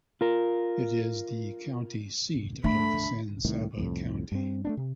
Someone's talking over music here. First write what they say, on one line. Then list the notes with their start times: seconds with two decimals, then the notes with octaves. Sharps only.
It is the county seat of San Saba County.
0.21 F4 A#4
2.64 D3 A3 B5
3.45 C2 A2 D#3
3.77 C2 F2 A2
4.32 G2 C4
4.65 A3 B3 D4
4.77 C3